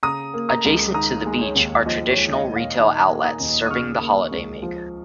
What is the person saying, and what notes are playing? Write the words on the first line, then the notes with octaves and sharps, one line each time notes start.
Adjacent to the beach are traditional retail outlets serving the holidaymaker.
C#3 A#5 D#6
A#3
A#5 D#6
C#2
D#3 A#5 D#6
G#3
C#5
D#2
F3 D#5
C#5
G#3
D#5
A#2
C#5 F5
D#3 D#5 G#5
A#3
A#5 D#6
D#2
D#6
C#3 C#6 F6
A#3
C#2
F3